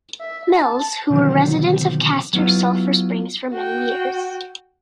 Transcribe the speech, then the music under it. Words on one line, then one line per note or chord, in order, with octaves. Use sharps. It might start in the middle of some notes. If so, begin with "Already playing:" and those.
Mills, who were residents of Castor Sulfur Springs for many years.
E5
A5
B2 D3 D#3 F3 F#3 C4
F#3 B3 E4 F4
F#4 G5